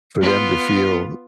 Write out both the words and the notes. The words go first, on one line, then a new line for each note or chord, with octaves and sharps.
for them to feel,
B3 F4